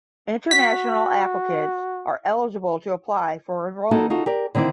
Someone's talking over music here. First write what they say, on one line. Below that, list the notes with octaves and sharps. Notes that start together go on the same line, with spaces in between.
International applicants are eligible to apply for enrollment.
F#4 B6
A#3 D#4 E4 F#4 A4
D#4 F4 F#4 A4
G4 A#4 D5
D3 D#3 C4 E4 D5